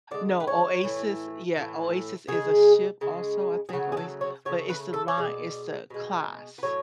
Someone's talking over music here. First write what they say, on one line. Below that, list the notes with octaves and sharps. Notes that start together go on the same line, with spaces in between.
No, Oasis yeah, Oasis is a ship, also, I think? Oas but, it's the line it's the class.
D3 G#3 D5
B4
C#5
A2 E3 A3
A2 E3 A3
C#3 G#3 G#4
C#3 G#3
G#4
C#3 F#3 A3 F#4
G#4
A4
C#5
C#3 F#3 A3 C#5
B4
A4
C#5
B2 G#3 D5
B2 G#3
B4
A2 F#3 A3 C#5